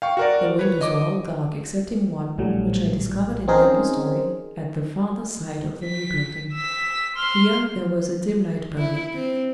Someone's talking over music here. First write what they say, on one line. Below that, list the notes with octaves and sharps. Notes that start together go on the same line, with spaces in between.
The windows were all dark excepting one, which I discovered in the upper storey, at the farther side of the new building. Here, there was a dim light burning.
F5 G5 C#6
F#4 A#4 D5
B4 C#5
D#5 D6
A#1 A2 F#3 G3
C4 C#4 D#4 G#4 A#4 C5
B6
E6 B6
C6 F6
E4
C4